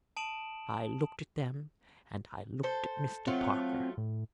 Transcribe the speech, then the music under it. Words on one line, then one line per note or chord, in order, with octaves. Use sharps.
I looked at them and I looked at Mr. Parker.
A5 D#6 D7 E7 F#7
A4 C5
F#3 A3 C4 F4
A2